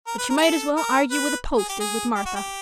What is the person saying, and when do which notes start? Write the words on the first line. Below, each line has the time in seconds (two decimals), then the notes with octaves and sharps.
But you might as well argue with a post as with Martha.
0.07 A#4
0.18 B4
0.30 A#4
0.38 G#4
0.42 A4
0.77 A#4
1.11 B4
1.58 G#4
1.69 G4
1.81 G#4
2.15 G4
2.26 F#4
2.36 G4